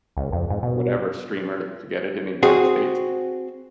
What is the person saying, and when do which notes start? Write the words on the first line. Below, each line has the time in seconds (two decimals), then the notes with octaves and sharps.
whatever streamer to get it in the United States,
0.17 C#2
0.32 F2
0.50 G#2
0.63 B2
2.43 C4 F#4 G#4